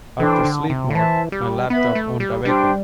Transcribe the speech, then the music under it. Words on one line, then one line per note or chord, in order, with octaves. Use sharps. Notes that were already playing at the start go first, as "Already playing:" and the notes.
After sleep mode, my laptop won't awaken.
E3 D4 A4 C5 G5
D3
C3
D3
E3 C5 E5 A5
G3
B3 B4 E5 B5
A3
G3
G3 D4 G4 C5 G5